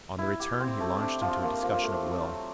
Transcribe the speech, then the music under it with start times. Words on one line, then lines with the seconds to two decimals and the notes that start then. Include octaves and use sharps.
On the return he launched into a discussion of will.
0.18 E4
0.40 G4
0.60 C4
0.80 A3
1.00 D4
1.21 F3
1.43 A#3
1.63 F3
1.83 A3
2.04 C4
2.25 F#3